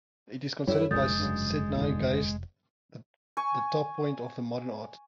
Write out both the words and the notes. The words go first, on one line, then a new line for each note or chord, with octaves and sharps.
It is considered by Sydnei Geist the top point of the modern art.
F#2 F#3 G3 E4 A4 C#5
F1 C2 A#2 D3 G#3 D#6 G6 A6
G2 C#3 F#3
D#2 A2 D3
G#5 C#6